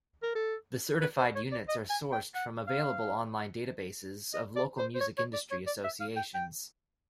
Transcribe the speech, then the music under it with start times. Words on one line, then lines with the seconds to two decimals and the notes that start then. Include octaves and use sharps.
The certified units are sourced from available online databases of local music industry associations.
0.23 A#4
0.35 A4
1.02 B4
1.18 C5
1.35 C#5
1.52 D5
1.69 D#5
1.90 G#5
2.12 G5
2.35 F#5
2.67 F5
4.34 D#5
4.56 D5
4.79 C5
4.95 C5
5.01 C#5
5.18 C#5
5.34 D5
5.51 C#5
5.67 D5
5.84 E5
6.01 F5
6.17 G5
6.35 G5